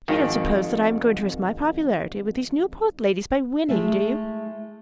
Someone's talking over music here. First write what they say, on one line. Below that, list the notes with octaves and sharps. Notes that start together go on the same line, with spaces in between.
You don't suppose that I am going to risk my popularity with these Newport ladies by winning, do you?
G#1 F2 D#3
G#3 A3 E4 E5